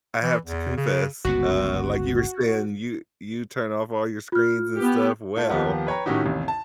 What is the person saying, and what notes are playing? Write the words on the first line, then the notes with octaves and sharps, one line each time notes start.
I have to confess, uh like you were saying, you you turn off all your screens and stuff, well,
E3
E2
C#3
G1 C#2 B3 F#4
F4 F6
B3 G4
A3 F4
D#2 F3 B3 G4 A#4 F#5
B4 C#5 G5 A#5
A2 D#3 C#4 D#4 F#4 G4
A1 D#2 C3
A5